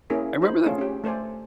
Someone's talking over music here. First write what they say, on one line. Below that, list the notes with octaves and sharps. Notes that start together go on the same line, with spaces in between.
I remember the
A#3 C#4 E4 G#4 A#4
D#4 C5 B5
A3 C#4 F4 G#4 A4
C#4 G4
A3 A4 C5 D5 G#5